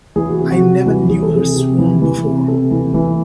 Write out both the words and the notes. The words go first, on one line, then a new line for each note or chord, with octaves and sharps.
I never knew her swoon before.
E3 G#4
F#4
C3
F#4
C3
E3
E3 G#4
A4
C3 G#4
C3
E3
E3
C3
C3 A4
E3
E3